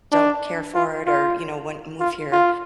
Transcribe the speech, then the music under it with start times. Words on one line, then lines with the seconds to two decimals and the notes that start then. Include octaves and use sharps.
don't care for it or, you know, wouldn't move here
0.12 D4
0.75 F4
1.07 F4
2.00 F4
2.32 F4